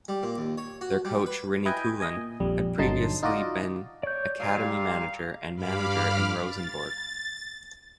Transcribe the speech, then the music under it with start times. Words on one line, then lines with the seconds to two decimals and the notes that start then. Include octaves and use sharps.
Their coach Rini Coolen had previously been academy manager and manager in Rosenborg.
0.08 G3
0.23 A#2
0.38 D#2
0.58 C#5
0.81 F#4
1.05 G3
1.26 B4
1.66 E4 B4 D#5 G5 G#5
2.00 D#5 G#5
2.17 A#2
2.40 A#1 F2 G3
2.78 G1 D3 F#3 D#4 A5 C6
3.23 D#4 F4 F#4 D5 D#5
4.03 C#5 D5 G6
4.40 A#2 G3 F5
5.54 G2 F5 B5 D6 F6
6.44 A6